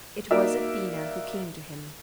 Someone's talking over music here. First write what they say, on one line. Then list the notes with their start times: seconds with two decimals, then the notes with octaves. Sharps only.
It was Athena who came to him.
0.31 A#3 D#4 F#4 A#4 D5 E5